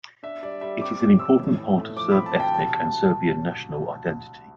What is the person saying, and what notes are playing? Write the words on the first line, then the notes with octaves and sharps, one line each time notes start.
It is an important part of Serb ethnic and Serbian national identity.
D4 E5
G3 D5
G3 E5
C4 D6
G3 D6
F2 E6
A2
E3
A3
F3 D6
C4 B5
A5
D2 G5
C2 A5